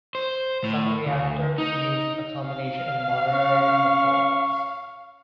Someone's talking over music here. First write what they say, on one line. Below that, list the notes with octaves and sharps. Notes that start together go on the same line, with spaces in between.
Some reactors use a combination of moderator materials.
C5
A2
D2
D#4
F5
C#4 C#6